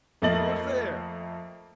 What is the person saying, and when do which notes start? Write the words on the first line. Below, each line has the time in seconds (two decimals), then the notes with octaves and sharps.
Who is there?
0.22 F2 A3 A#3 D#5 A6 F#7